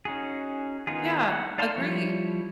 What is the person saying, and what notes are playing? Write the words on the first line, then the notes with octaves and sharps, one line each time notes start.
Yeah, agreed.
C#4 D#4 F#4 G#4
D#3 B3 D#4 F4 G#4
F#5
D#4 D5 F5 A5 C6
F3 G3 E4 C#5